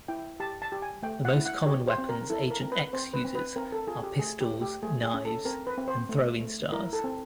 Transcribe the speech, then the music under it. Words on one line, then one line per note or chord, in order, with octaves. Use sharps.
The most common weapons Agent X uses are pistols, knives, and throwing stars.
E4 G5
G4 A5
A5
G4
G#5
A3 G5
F#5
E4
F#5
G4 C#5
C5
C4
A#4
E4 A4
A#4
C4
B4
C4 C5
B4
C4
B4
C4 A#4
A4
F4 G#4
G4
A3 G#4
G4
A3
G4
A3 G#4
G#4
C#4
A4
C4 A#4
B4
C4
C5
A3
A3
E4 A#4
A4
C4